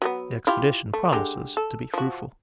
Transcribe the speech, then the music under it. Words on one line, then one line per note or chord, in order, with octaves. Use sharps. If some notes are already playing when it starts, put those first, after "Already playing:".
The expedition promises to be fruitful.
F#3 G3 B3
E4 F4 G4
A3
D3 G#3 G4
A4
F3 F#4